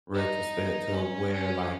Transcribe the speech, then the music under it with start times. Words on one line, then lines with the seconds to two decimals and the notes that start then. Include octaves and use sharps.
retrospect to where, like,
0.15 D#4
0.93 C#4
1.32 C#4